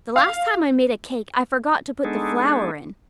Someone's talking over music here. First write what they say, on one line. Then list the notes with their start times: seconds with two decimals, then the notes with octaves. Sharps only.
The last time I made a cake I forgot to put the flour in.
0.16 F5
2.05 G#3 B3 D4 D#4 G#4 A4